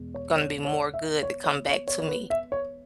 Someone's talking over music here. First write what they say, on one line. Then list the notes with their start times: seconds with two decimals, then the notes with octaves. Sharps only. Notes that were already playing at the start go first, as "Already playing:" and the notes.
gonna be more good that come back to me.
Already playing: E2 B2 G#3
0.14 C#5
0.36 C#5
0.65 C#5
0.94 E5
1.23 C#5
1.44 C#5
1.66 C#5
1.88 C#5
2.00 C#5
2.08 B4
2.30 E5
2.52 C#5